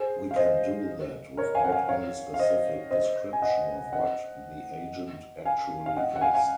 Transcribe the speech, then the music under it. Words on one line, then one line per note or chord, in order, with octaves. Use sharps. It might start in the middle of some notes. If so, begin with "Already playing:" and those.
We can do that without any specific description of what the agent actually is.
Already playing: G#4 C5
F5
C5 D#5
A#4 C#5
F5 G#5
F#5
F5 G#5
C#5 F5
F5
C5 D#5
C5 D#5
G#5
D#5 F#5
D#5 F#5
F5 G#5
F5
D#5 F#5
F#5
F5 G#5
F5 G#5